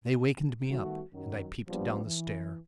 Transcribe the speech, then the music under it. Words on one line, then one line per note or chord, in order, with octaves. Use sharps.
They wakened me up and I peeped down the stair.
D#3 G3 A3 B3 F#4
F#2 D#3 F#3
A#1 F3 G3 B3
E3